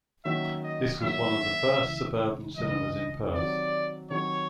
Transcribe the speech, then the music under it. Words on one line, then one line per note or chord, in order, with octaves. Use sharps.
This was one of the first suburban cinemas in Perth.
D#3 F#3 A#3 C#4 F#4 E5
D#5
D#3 F#3 A#3 C#4 F#4 E5
C#2 C#3 E3
C#2 C#3 E3 D#5
C3 D#3 F#3 D5
C3 D#3 F#3 C#5